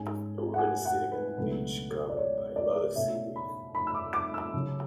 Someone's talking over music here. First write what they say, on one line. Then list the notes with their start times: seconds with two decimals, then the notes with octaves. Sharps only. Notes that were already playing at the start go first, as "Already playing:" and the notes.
A woman is sitting at the beach covered by a lot of seaweed.
Already playing: G#2 G#3 C#4 G#5
0.54 F#5
0.58 G#5
0.85 F#5
1.12 B4
1.38 C#2 B2 F#3 A3 D4 B4
2.10 D5
2.17 C#5
2.56 D5
2.95 B2 A3 C#4 E5
3.36 B5
3.75 B5
3.87 E6
3.94 D6
4.14 D6
4.34 E6
4.54 C#3 F#3 C#4